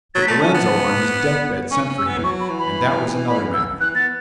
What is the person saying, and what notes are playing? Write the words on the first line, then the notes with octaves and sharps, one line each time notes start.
But Lorenzo on his deathbed sent for him, and that was another matter.
F#3 A6
B6
A3 A6
C#4 A5
B3
C#4 C#6
C#4
E6
B3
E3
F#3 C#6
B5
E3
B5
B5
E6
E3 F#6
B3 A6